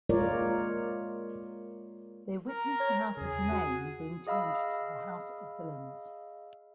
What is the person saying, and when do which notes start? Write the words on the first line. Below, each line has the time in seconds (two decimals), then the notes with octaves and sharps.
They witness the House's name being changed to the House of Villains.
0.09 G#3 A#3 F4 A#4 C#5 D5
2.49 A#4
2.80 C#5 G#6
3.17 E2 C#3 G#4
3.49 F#4 F#5
4.27 G#4 D#5 F5 B5 E6